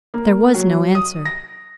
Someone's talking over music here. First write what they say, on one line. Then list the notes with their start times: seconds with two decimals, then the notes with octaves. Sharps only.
There was no answer.
0.14 A#3
0.54 F#3
0.95 D#6
1.25 A#6